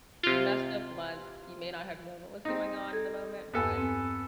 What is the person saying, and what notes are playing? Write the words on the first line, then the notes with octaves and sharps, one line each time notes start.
you messed up once, you may not have known what was going on in the moment, but
C3 F4
C4 D#4
A4 G#6
E2 G2 B3 A4 G#5
C4